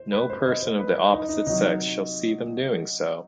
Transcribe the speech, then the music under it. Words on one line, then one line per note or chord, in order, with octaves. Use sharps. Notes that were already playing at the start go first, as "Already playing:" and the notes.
No person of the opposite sex shall see them doing so.
Already playing: C5
B4
C5
D#5
C5
B4
D#4
D#4
C3 F#3 D#4